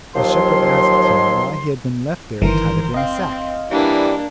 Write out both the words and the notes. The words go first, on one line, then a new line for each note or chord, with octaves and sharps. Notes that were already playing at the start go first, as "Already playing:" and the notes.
The shepherd asked him why he had been left there tied up in a sack.
D#2 F3 F#3 C6
G1 D#3 E3 A#4 C5
C4 D#5 F5
E3 G3 A#3 D4